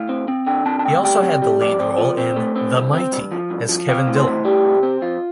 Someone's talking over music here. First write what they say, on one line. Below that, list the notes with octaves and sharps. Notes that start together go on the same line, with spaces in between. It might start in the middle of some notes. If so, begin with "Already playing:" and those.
He also had the lead role in "The Mighty" as Kevin Dillon.
Already playing: A2 F5
C4
C4
D3 G5
C4 A5
A5
D2 G5
G3 G5
C3
G3
F2 D5
C4
F3
C4
A3
C4
G2
C4
G2
F3
G2
F3
C4 F5
A2
C5
A2
G3 G4
C3
C4
F2 F4